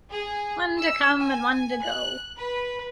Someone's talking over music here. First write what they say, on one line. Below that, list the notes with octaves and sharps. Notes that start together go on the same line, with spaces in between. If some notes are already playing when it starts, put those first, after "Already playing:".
One to come, and one to go.
G#4
E6
G#5
F#6
B4